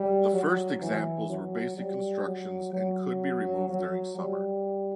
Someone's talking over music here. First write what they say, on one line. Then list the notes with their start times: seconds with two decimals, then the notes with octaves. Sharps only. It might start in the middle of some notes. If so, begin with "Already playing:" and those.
The first examples were basic constructions and could be removed during summer.
Already playing: G3
0.34 F#3
0.82 E3
1.29 F#3
1.77 G3
2.26 F#3
2.73 F#3
3.69 F#3
4.18 G3